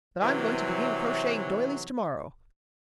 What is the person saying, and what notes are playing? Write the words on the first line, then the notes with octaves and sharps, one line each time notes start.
But I'm going to begin crocheting doilies tomorrow.
C3 E3 F#3